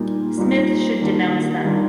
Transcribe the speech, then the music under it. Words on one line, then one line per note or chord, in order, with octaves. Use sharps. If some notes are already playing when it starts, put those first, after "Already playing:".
Smith should denounce them.
Already playing: A#2 G3 A#3 D#4
A#2 G3 A#3 D#4
D#3 G3 A#3 D4 F4
D#3 G3 A#3 D4 F4